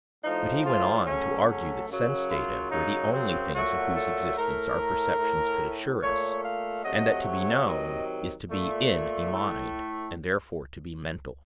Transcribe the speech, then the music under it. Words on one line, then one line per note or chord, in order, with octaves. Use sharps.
But he went on to argue that sense-data were the only things of whose existence our perceptions could assure us; and that to be known is to be 'in' a mind, and therefore to be mental.
A2 F3 A3 D#4
F4
C#3 F#3 A3 C#4
C#4
F#2 C#3 F#3
F4
F#2 C#3 F#3 D#4
C4
A#2 F#3 A3 F#4
A4
A2 A3 A#4
A2 A3
A#2 A3 C#5
F5
C3 F#3 A3 D#5
C#5
C3 D#3 F#3 D#5
A#2 A3
A2 A3